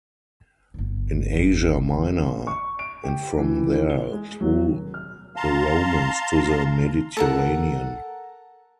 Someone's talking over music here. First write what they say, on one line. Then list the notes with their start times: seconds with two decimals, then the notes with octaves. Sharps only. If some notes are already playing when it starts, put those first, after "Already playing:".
In Asia Minor and from there through the Romans to the Mediterranean.
0.74 G1 D3
2.47 C#6
2.79 D7
3.04 G4
3.37 E3
3.90 G7
4.12 G#3
4.41 F#3
4.73 D#1
4.94 F6
5.36 F5 A5 A#5 C6
7.17 A4 A#4 F#5